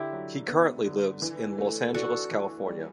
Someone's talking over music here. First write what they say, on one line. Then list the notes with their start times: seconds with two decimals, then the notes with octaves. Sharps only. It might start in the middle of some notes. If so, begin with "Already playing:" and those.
He currently lives in Los Angeles, California.
Already playing: D3 E4 G4
0.13 F#3
0.48 B3
0.86 D3
1.22 E3
1.58 A3
1.94 D4 F#4 A4
2.31 E3
2.67 G3